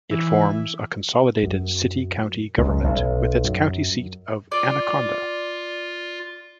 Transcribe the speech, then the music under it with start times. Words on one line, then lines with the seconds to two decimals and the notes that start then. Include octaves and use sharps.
It forms a consolidated city-county government with its county seat of Anaconda.
0.11 E3
1.43 F#2
2.58 C#2
2.84 B1
3.44 F#2
4.52 F4 D5